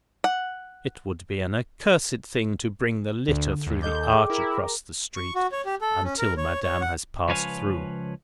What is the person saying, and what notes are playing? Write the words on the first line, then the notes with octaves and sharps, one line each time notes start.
It would be an accursed thing to bring the litter through the arch across the street, until Madame has passed through.
F#5
D2 D3
D#2
A4 D#5 D6 G6
G#4 G5 D6
E4 A#4
C#6
F#4
C#5
G4
A4
C#4
A#4
C#5
C#5
F#5
C#2 F3 B4 C#5 F5 G#5